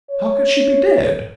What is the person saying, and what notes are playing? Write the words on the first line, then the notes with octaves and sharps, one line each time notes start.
"How can she be dead?"
C#5